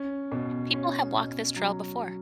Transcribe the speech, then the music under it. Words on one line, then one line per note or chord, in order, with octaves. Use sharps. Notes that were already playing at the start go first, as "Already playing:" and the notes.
People have walked this trail before.
Already playing: C#4
B2
C#4
B2
F#3
F#3